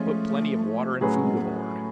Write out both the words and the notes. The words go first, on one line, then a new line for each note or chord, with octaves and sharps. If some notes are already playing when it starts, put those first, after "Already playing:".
"Put plenty of water and food aboard."
Already playing: F3 G#3 A3 C#4 F4
A2 F#3 A3 C#4 G#4 B4
G#3
B3
A3